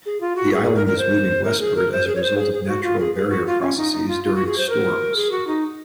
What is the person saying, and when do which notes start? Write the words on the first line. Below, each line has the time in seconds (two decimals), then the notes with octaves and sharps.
The island is moving westward as a result of natural barrier processes during storms.
0.06 G#4
0.21 F4
0.36 F#4
0.53 G#4
0.64 G#4
0.76 A#4
0.87 A#4
0.98 C5
1.45 A#4
1.60 G#4
1.76 A#4
1.92 C5
2.07 G#4
2.16 C#5
2.23 C5
2.38 G#4
2.53 G#4
2.64 G#4
2.69 F#4
2.84 F4
2.99 G#4
3.15 G#4
3.30 F#4
3.47 F4
3.61 C#4
3.77 D#4
3.92 D#4
4.08 F4
4.24 F4
4.35 F#4
4.47 G#4
4.58 C5
4.70 A#4
5.16 G#4
5.32 F#4
5.47 D#4